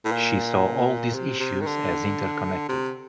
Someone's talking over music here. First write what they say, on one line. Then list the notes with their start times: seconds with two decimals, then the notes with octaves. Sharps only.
She saw all these issues as interconnected.
0.05 A2
0.12 A#2
1.14 C3
1.40 C3
1.61 D#3
1.66 D3
2.69 C3